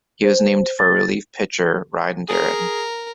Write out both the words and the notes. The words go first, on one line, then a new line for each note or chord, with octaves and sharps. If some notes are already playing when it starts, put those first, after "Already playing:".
He was named for relief pitcher Ryne Duren.
C5
A6
G#4 A#4